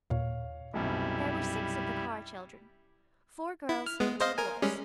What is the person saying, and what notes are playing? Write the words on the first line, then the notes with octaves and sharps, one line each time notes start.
There were six of the Carr children--four girls and two boys.
D#2 A#2 C#5 F5
B1 F#2 C3 G3 E4
E4
F6
G#3 B3
C5 D#5 F5
A#4 G#5
G3 G#3 C#4